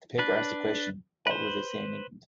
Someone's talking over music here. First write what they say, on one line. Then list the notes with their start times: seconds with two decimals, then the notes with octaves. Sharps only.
The paper asked the question What will they say in England?
0.19 D4 B4
1.27 B4 C5